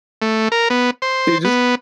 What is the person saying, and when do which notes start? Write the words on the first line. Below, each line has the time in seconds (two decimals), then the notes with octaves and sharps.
You just
0.22 A3
0.52 A#4
0.70 B3
1.02 C5
1.45 B3